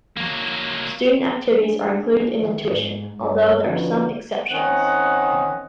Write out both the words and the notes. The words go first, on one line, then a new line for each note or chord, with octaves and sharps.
Student activities are included in the tuition, although there are some exceptions.
F#3 A#3
G#3 D4 D#4 G#4
D#3 E3
G#2
G2 C#5
D3 F3 C#4 D#4 F#4 B4
D#3 C4 C#4 D#5 F#5